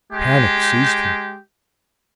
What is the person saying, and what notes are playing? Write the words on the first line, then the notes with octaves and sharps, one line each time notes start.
Panic seized him.
G#3 G4